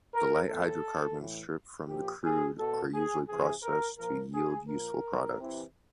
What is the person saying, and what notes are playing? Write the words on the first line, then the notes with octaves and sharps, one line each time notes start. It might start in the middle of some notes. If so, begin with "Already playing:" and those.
The light hydrocarbons stripped from the crude are usually processed to yield useful products.
A#4
A2 E3 A4
A2 E3
A#2 F3 G4
G#4
B2 A4
G#4
C3 E3 G#4
A#4
A#2 F3 A#4
G#4
A#2 F3 A#4
C3 E3